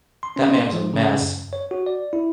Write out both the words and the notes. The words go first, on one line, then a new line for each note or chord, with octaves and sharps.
That man was a mess,
C6
C#4
C6
F3
C#3
F#2
C#5
F#4
D5
E4